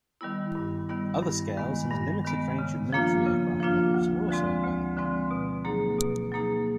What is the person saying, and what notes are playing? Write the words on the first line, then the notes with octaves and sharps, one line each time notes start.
Other scales and a limited range of military aircraft models are also available.
D#3 G3 B3 E4
G2
D#3 G3 B3 E4
G2
D#3 G#3 B3
G2
D#3 G#3 B3
C#3
F3 A#3 D4 F4
C#3
F3 A#3 D4 F4
D2
D3 F3 G#3 C4
D2
D3 F3 G#3 C4
B2
F#3 A#3 D#4 G#4
B2
F#3 A#3 D#4 G#4